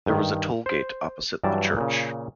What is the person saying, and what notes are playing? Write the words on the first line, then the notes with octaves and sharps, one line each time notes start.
There was a toll gate opposite the church.
G2 D#3
C5
G2 E3 F#3 G3 D5 A5
A#2 C#3